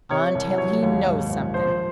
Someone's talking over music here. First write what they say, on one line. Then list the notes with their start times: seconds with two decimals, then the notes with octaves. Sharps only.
"Until he KNOWS something!"
0.11 C3 C#5
0.35 C2
0.58 F#3 C#5
0.82 D#2
1.06 G#2
1.30 A#1
1.54 F3 C5